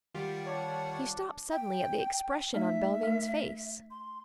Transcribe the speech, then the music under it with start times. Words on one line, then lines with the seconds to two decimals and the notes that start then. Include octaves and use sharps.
He stopped suddenly at the expression on Belvane's face.
0.15 D#3 G3 F4 G4 F#5
0.46 D4 C#5
1.51 G5
2.54 A3 D#4 E5
3.03 A3 A#4
3.90 C6